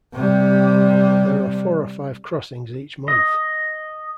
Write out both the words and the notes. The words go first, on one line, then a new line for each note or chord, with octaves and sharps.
There are four or five crossings each month.
C3 G3
D#5